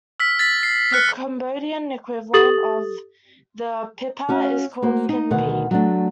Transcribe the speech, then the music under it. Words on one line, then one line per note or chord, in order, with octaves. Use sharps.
The Cambodian equivalent of the "piphat" is called "pinpeat".
E6 F6 B6
A6 B6
C7
F6 F#6 C#7
G4 A4 D#6 A6 F#7
C#4 F#4 F5
A#3 F#4 C5
D#4
D2 B2 D#3 F#5
F#3 A3 D4